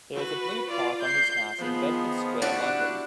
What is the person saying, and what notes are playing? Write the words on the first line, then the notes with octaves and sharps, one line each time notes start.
There is a blue plaque on his house in Bedford Square, London.
F#4 B4
F4 D5
G6 C7
D#3 F3 B3 G#4
D4 E4 F#4 G4 F#6